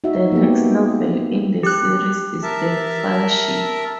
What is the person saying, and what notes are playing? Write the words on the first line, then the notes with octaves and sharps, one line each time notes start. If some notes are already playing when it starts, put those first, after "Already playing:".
The next novel in the series is "The Fireship".
D#4 F#4 E5
A#3 B3 G4
G4 F#6
A#4 E5 A5